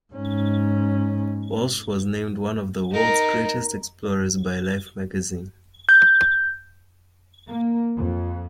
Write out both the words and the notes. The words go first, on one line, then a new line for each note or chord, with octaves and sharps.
Walsh was named one of the world's great explorers by "Life" magazine.
G#2 C#4
D#4 A#4
G6
A#3
F2